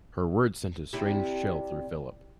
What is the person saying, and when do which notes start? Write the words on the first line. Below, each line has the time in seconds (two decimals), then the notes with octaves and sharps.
Her words sent a strange chill through Philip.
0.93 C3 G3 E4